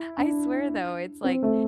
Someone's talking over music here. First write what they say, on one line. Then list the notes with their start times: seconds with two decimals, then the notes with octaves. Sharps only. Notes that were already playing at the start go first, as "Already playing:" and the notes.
I swear, though, it's, like
Already playing: E4
0.18 D4
1.24 C4
1.43 A3